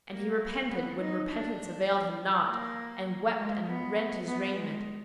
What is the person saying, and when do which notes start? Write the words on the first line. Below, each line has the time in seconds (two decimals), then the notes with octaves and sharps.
And he repented when repentance availed him naught, and wept and rent his raiment.
0.11 A#3
0.70 B3
1.00 D#4
1.29 D4
2.48 A#3
3.38 G#3
3.68 B3
4.27 B3
4.56 G#3